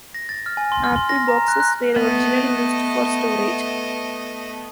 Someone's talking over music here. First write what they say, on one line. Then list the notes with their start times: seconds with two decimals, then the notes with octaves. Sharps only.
Apple boxes were originally used for storage.
0.15 A#6
0.29 A6
0.46 F6
0.57 G#5
0.72 C6
0.84 F6
0.96 C6
1.09 A#6
1.28 A#5
1.48 F#6
1.60 F#6
1.96 A3 B3 D#5